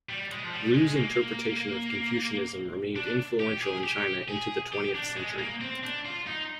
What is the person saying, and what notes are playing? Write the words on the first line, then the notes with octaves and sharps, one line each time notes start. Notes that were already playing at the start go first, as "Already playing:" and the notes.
Lu's interpretation of Confucianism remained influential in China into the twentieth century.
G3
G#3
F3
G3
G#3
A#3
D4
G4
G#4
G4
G#4
G4
D4
G#3
A#3
C4
D4
F4
D#4